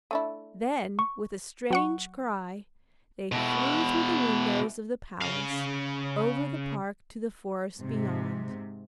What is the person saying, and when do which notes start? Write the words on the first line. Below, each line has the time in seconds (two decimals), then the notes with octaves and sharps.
Then, with a strange cry, they flew through the windows of the palace, over the park, to the forest beyond.
0.11 A3 D4 E4
0.99 C#6
1.71 F#3 F#5 C#6
3.32 B2 E4
5.21 C#3 F5
7.80 G#2 C3